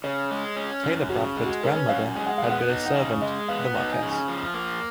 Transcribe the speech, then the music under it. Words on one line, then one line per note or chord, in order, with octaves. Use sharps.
Taylor Bradford's grandmother had been a servant for the Marquess.
C#3 C#5
G#3
C#4
F#2
C#3 F#4
G#3
F#4
C#4 A#4
B4
F#2 F5
G#5
G#3 G#5
F#5
B3 F5
F#5
D#4
F#5
C#3
G#3 D#5
B3 F5
D#4 F#5
G#5
C#3
G#5
F3
A#3